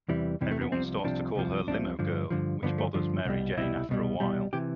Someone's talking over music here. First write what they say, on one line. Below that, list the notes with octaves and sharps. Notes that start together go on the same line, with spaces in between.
Everyone starts to call her "Limo Girl", which bothers Mary Jane after a while.
E2 C3 E3 G3
E2 C3 E3 G3
A3
B3
C2 C3 F3 C4
C2 C3 F3 D4
C2 C3 F3
C2 C3 F3 D4
G2 D3 F3
G2 D3 F3
G2 D3 F3 B3
A3
G2 D3 F3
C2 B2 G3
C2 B2 G3 E4
C2 B2 G3
C2 B2 G3
C3 E3 G4